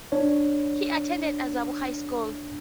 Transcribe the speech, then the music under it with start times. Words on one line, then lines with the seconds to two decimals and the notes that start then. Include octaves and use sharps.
He attended Azabu High School.
0.12 D4 C#5